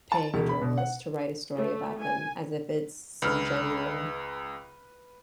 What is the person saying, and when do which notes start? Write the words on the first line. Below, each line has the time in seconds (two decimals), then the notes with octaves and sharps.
paying a journalist to write a story about them as if it's some genuine
0.12 A5
0.34 E1
0.49 B5
0.62 B2
0.78 F#5
1.56 A3
1.99 G#5
3.22 C#2 B4 F6